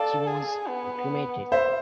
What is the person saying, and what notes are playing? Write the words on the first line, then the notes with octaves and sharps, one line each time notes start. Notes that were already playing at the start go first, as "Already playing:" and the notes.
She was cremated.
Already playing: A4 D5 F5
G#4
B3
C5 E5